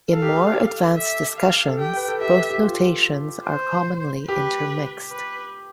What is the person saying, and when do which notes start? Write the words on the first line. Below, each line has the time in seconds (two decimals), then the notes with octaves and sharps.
In more advanced discussions, both notations are commonly intermixed.
0.13 A4 F5
0.22 G4
0.33 A4
0.96 E5
1.38 F5
1.67 A4
1.79 G4 G5
1.96 B4
2.08 A4
2.21 G4 E5
2.50 G4
2.62 F4
3.45 C5
4.28 G4 B4
5.11 B4